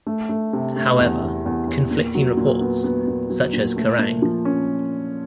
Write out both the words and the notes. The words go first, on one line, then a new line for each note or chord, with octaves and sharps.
However, conflicting reports, such as Kerrang!
A3
A3
C3
A3
E2
E2
E2
E2
A#2
F#3
A#2
B3
B3
A#2
F#3
A#2
A3
A#2
F3
C#4